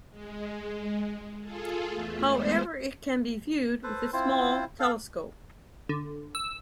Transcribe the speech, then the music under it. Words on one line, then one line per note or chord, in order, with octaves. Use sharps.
However, it can be viewed with a small telescope.
G#3
F4 G#4 A4
E2 A3
G#3 B3 C5
A4 B4 C5
C4 E4 F4 C5
A4 F5
D3
E6